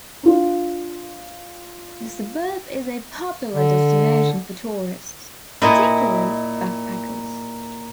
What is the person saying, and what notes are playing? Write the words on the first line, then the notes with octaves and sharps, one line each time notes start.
The suburb is a popular destination for tourists, particularly backpackers.
D4 F4
D3
A#2 E4 D#5